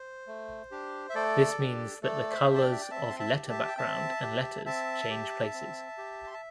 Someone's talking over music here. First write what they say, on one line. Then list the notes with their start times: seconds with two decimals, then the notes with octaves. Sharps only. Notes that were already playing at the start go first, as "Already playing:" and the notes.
This means that the colors of letter background and letters change places.
Already playing: C5
0.27 A3
0.71 D4 G4
1.10 E5
1.15 A3 A4 D5
1.59 D4 G4
2.02 A3 A4 D5
2.31 C5 E5
2.46 D4 G4
2.55 A5
2.61 D5 G5
2.72 E5
2.81 G5
2.91 C4 E5 A5
3.10 C6
3.19 E5 A5
3.34 G4
3.49 E5 A5
3.67 G5
3.78 C4 E5 A5
4.22 G4
4.65 C4 E5 A5
5.10 G4
5.53 C4
5.98 G4
6.27 C6
6.34 A5